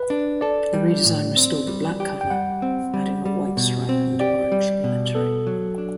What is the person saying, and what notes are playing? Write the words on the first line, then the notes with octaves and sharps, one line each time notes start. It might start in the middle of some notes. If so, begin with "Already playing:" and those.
The redesign restored the black cover, adding a white stripe and orange lettering.
Already playing: B4
D4
A4 D5
G3
A2
C4
G3
G4
G5
G3 F#5
C4
G3
G3
B2
C4
G4 D5
G3
B2
B3 A4
F#3
D4